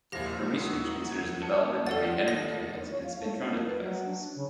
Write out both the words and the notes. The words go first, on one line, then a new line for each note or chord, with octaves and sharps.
Her research considers the development of magnetic materials and spintronic devices.
D#2 A#2 F3 G#3 E4 G4 G#4 A#6
F#3 G#3 E4 F#4 D#6
G#6
A5 C#7 D#7
D2 F3 G4 A4 C5 D5 F#5 A6
D#2 A4 D#5 A#6
C#5
F5
A3
C4
A#3
B4
F#3
D4
C#3